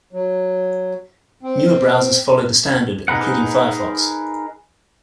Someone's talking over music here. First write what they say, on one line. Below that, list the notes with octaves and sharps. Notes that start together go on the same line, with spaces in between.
Newer browsers follow the standard, including Firefox.
F#3
C4
D#4 G#4 A#4 B4 F#5